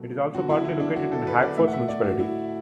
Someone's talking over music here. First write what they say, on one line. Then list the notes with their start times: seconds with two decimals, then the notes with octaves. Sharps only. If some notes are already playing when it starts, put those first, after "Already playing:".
It is also partly located in Hagfors Municipality.
Already playing: B2 F#3 A3
0.35 D3 F#3 B3 F#4
0.50 E4
0.65 E4
0.80 D4
0.96 F#4
1.12 A4
1.27 B4
1.43 D5
1.57 A2 A3 E5
1.68 F#5
1.73 E5
1.88 D5
2.04 F#4
2.19 E4